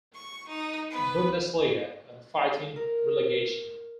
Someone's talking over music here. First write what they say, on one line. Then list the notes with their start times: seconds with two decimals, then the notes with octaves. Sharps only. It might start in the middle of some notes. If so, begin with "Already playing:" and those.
Bundesliga and fighting relegation.
0.14 C#6
0.49 D#4
0.90 B3 B4
2.76 A#4